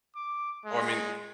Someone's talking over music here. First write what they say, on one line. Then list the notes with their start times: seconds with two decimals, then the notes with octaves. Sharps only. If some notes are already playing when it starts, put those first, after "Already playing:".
well I mean,
0.16 D6
0.65 G#3